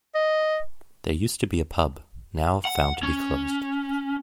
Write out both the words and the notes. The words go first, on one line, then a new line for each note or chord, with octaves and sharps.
There used to be a pub, now found to be closed.
D#5
F#5
C#4